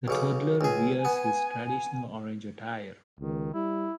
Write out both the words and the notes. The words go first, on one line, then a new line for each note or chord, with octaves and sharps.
The toddler wears his traditional orange attire.
B1 C#3 D6
C#2 G#4 G#5
B3
C#2 D#3
G3 E4